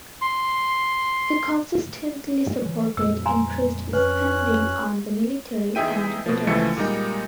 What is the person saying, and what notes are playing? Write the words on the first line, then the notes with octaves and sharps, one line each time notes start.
He consistently supported increased spending on the military and veterans.
C6
E3 F#3
F2 A#2 G3 E6
G#5 A#5 C6
F2 C#4 B4 F#6
E2 D#4 G#4 E5 G5 D#7
B2 F3
C#2 E3 F3 A3 E5 C#7
A#2 G3 G#3 A#3 D#4